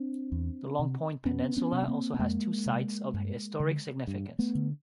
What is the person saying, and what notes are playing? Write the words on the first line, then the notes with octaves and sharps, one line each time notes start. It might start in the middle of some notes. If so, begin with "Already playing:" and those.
The Long Point peninsula also has two sites of historic significance.
Already playing: C4 D4
E2
C3
F2 B3 C#4
B3 C#4
C3
C#4
A#3 C4
B3
F2 G#3 A#3
C3
G2
D3
G2
A3 B3
D3